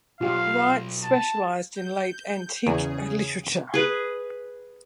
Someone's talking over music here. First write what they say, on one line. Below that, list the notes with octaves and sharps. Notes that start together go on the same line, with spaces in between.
Wright specialized in late antique literature.
B1 F4 G4 F5 F#5
A5
G6
E2 C#3 G#4
G#4 B4